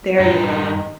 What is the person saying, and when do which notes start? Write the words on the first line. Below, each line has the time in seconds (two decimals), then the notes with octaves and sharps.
There you go.
0.20 G2 D#4